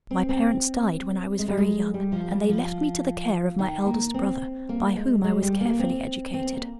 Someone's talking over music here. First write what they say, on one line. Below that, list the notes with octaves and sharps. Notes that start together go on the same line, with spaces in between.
My parents died when I was very young, and they left me to the care of my eldest brother, by whom I was carefully educated.
C4
C4
G#3
G3
G#3
G3
F3
G3
F3
D#3
A#3
C4
A#3
G#3
G#3
G3
A#3
C4
C4
A#3